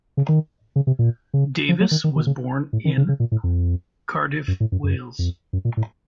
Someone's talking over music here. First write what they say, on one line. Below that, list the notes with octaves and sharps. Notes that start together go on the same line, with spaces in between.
Davis was born in Cardiff, Wales.
C#3
D#3
C#3
C3
A#2
C#3
F3
F#3
D#3
D#3
D#3
C#3
A2
D#3
C#3
C#3
A#2
A2
F2
F#2
A2
F#2
F#2
F2
F#2
A#2
A2